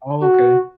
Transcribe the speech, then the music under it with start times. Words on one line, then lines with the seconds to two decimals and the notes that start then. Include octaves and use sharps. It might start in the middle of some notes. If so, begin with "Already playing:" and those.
Oh, okay.
0.22 F#4